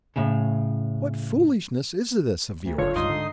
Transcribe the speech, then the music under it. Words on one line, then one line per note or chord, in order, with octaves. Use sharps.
"What foolishness is this of yours?"
A2 C#3
D2
F#1 D3 F4 C#5
G1 C#2 G2 D#4 C6 D#6
G#2 D3